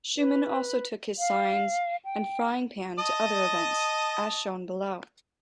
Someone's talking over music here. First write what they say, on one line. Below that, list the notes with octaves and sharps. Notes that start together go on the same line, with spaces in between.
Schuman also took his signs and frying pan to other events, as shown below.
B4
F5
G5
D#5 A5 D#6